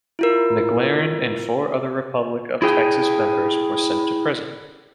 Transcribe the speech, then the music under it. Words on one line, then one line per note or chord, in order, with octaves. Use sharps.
McLaren and four other Republic of Texas members were sent to prison.
E4 F4 A#4
E4 G#4 G5